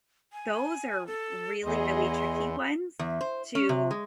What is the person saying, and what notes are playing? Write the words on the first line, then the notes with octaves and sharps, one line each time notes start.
those are really, really tricky ones to
G#5
A4
E2 G#4 D#5 C6
E2
C5
C#4
C3
G#3